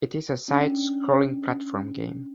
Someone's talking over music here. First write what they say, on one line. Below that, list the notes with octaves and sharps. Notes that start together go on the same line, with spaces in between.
It is a side-scrolling platform game.
C#4 D4